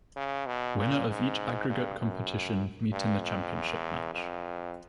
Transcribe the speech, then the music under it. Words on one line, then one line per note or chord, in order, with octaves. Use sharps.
Winner of each aggregate competition meet in the Championship match.
C#3
B2
A#2
G#2
G2
F#2
G2
F2
E2
F2